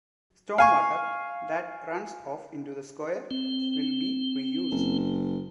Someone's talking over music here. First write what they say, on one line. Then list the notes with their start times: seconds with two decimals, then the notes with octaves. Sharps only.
Storm water that runs off into the square will be reused.
0.58 F5 G#5 C#6
3.31 C4
4.71 F#1